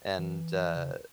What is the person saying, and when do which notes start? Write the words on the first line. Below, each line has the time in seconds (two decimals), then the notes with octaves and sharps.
And, uh
0.19 E3
0.76 C#3